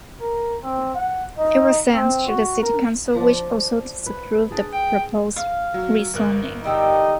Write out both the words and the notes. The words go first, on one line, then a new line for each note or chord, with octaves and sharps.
It was sent to the city council which also disapproved the proposed rezoning.
A#4
C4
F#5
D#4
C4
F#4
A#4
F3 D4
B4
D4 G#4
G5
F5
F#3
G1 A#4 F#6
D3 D#4 G4 A4